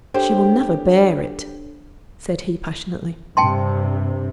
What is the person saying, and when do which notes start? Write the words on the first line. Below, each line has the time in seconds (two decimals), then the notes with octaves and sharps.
'She will never bear it,' said he passionately.
0.14 D4 G4 A4 C5 C#5 G5
3.37 G2 C3 G5 A5 C6